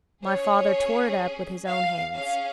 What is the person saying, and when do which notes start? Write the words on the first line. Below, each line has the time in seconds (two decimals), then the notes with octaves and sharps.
My father tore it up with his own hands.
0.24 C#4 G#4 C#5
1.67 F5
2.14 C#4 G#4 F5